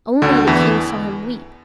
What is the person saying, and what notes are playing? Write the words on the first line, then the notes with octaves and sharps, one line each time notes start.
Only the King saw him weep.
D2 D3
E2 E3